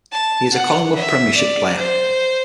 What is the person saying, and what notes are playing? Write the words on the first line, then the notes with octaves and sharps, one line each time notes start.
He is a Collingwood Premiership player.
A5
F#5
E5
D5
C5